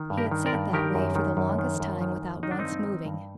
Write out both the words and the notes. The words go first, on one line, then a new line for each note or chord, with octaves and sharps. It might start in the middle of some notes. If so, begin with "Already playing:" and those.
He had sat that way for the longest time without once moving.
Already playing: D#3
G2
G4 A#4
D#3
A#4 D5
G2
D#3 G4 A#4
F#2
D#3
F#2
D#3
F#2
D#3
F#2
D#3 D#4
D4
C4 D#4
G2
D#3
G2